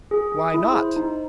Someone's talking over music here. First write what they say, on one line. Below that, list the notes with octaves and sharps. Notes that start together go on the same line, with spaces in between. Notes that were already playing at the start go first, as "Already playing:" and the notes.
Why not?
G#4
G#4
E4
C5
D#4